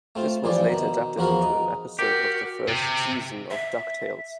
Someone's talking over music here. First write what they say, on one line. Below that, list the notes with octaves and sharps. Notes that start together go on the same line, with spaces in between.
This was later adapted into an episode of the first season of "DuckTales".
A3 C4 F4
G2 E3 F3 G3 D5 G5
B2 D#3
E2 F3 F#4 A#4 B4 F5
D#4
F#4 G4 A#4
C3
E5